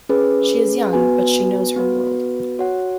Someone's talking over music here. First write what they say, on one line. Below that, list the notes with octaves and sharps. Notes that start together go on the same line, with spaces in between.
She is young, but she knows her world.
C#4 G#4 B4
B3 F#4 B4 G#5
B3 F#4 B4
F#4 C#5 F#5